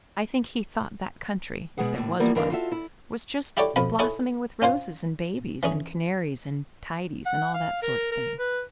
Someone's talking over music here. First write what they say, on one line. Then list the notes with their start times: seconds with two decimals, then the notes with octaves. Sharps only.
I think he thought that country--if there was one--was just blossoming with roses and babies and canaries and tidies, and all that sort of thing.
1.78 B2 G#3 B3 G#4 F#5
1.95 D#2 A2
2.20 E3 F3 G3 A#3 B3
2.35 D3 E3 A#4 D#5 F5
2.50 F4 F#4 A4 E5
2.72 E4
3.57 E4 F#4 G4 A4 C#5 D5
3.76 F2 B2 F3 B5
3.99 D#4 E4 G#4 A4 C#5
4.62 C#4 F4 C5 F5
5.63 E3 C#4 G#4
7.26 F#5
7.54 F5
7.82 A#4
8.11 A#4
8.39 B4